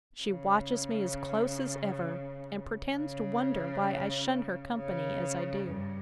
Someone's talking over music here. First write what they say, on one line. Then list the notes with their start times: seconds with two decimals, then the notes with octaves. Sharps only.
She watches me as close as ever, and pretends to wonder why I shun her company as I do.
0.23 C#3
2.95 C#3
4.76 C#3
5.66 G2